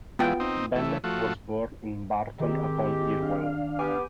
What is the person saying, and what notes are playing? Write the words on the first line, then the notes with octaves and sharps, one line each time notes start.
Bennett was born in Barton-upon-Irwell.
E3 G#3 B3 F4 G5
C4 D#4
E3 A3
F3 A3 F#4
D#3 G#3 C4 G4
D4 F5
B3 G4 G#5 D6 G6